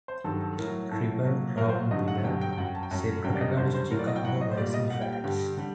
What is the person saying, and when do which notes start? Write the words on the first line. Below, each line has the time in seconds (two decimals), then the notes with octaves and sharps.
Triple Crown winner Secretariat to Chicago racing fans.
0.08 C5
0.24 G2 D#3 F#3 A4
0.41 A4
0.58 A2 F#3 A#4
0.91 A2 F#3 A4
1.24 A#2 F#3
1.57 A#2 F#3 A#4
1.69 C5
1.91 G2 D3 F#3 D#5
2.08 F#5
2.24 G2 D3 F#3 G5
2.41 G5
2.53 G5
2.57 F#2 F#3 F#5
2.66 G5
2.75 A5
2.83 G5
2.91 F#2 F#3 A5
3.24 F#2 D3 G3 G5
3.35 D5
3.41 D#5
3.57 F#2 D3 G3 C5
3.74 C5
3.91 A2 F#3 A#4
3.99 D5
4.07 D#5
4.16 G5
4.24 A2 F#3 F#5
4.41 D#5
4.51 C5
4.57 A#2 G3 D5
4.74 D#5
4.90 G3 F#5
4.94 A#2
5.01 G5
5.12 G5
5.24 G2 D3 G3 G5
5.58 D3 G3